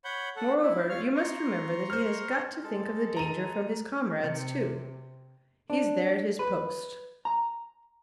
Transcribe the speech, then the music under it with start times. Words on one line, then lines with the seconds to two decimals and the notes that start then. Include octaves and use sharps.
Moreover, you must remember that he has got to think of the danger from his comrades too. He's there at his post.
0.04 C#5 F#5 B5 G6
0.36 A4 F#5
0.62 E4
0.89 F4 C#5 F5 F6
1.15 A#5 C6 C#6
1.90 C5 F6
2.63 G#3 A4
3.17 A#5 D#7
4.23 C3
5.70 D4
6.39 B4
7.25 A#5